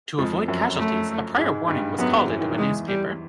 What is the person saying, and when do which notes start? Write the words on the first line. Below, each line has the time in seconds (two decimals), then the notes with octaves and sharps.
To avoid casualties, a prior warning was called into a newspaper.
0.18 F2 F3 G#3
0.48 F#2 F#3
0.78 A3
1.38 G#2 G#3
1.68 G2 G3
1.98 F#2 F#3 B3
2.28 E3
2.41 D#3
2.53 E2 E3 G#3
2.88 G3